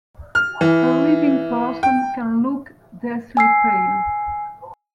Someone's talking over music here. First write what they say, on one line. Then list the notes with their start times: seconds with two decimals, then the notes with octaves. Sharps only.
A living person can look deathly pale.
0.35 F6
0.61 E3
1.83 G5
3.37 G#5 E6 C7